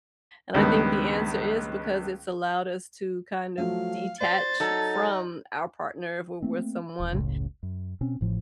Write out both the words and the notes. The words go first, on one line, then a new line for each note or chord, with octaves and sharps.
And I think the answer is because it's allowed us to kind of detach from our partner if we're with someone
C#2 G2 D#3 B3
F3 F#3 A3 F5
C5 D5 A6
F#3 D#4 A4
A3 A#3 C4
E1 E2
F#1 C#2 A2 C#3
F#2
B2 C4 C#4
A1 A2 F3